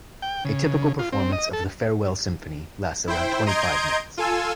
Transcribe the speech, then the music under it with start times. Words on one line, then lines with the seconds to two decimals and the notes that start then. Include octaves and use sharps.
A typical performance of the "Farewell" Symphony lasts around twenty-five minutes.
0.22 G5
0.45 C#3
0.66 C#3
0.99 F4
1.13 C4
1.32 D#5
1.53 A4
3.08 E4 C5 G5
3.46 D#5 A#5 C6 G6 G#6 D7
4.17 F4 A4 G#5 E6